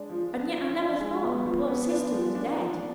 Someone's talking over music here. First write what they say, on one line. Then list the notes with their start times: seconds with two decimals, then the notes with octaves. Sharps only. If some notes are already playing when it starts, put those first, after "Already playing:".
And yet I never thought my poor sister was dead.
Already playing: G#3 D4
0.09 F3
0.33 D4
0.55 F3
0.77 F3
1.00 G#3
1.23 B3
1.46 F3
1.68 B3
1.91 D4
2.12 F3
2.35 D4
2.58 F3